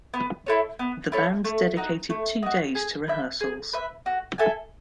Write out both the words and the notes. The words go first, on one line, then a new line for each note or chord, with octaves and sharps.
The band dedicated two days to rehearsals.
B3
E4 A4 C#5
B3
E4 A4 C#5
A3
D#4 F#4
A3
D#4 F#4
G#4
B4 E5
G#4
B4 E5
F#4
A4 E5 G#5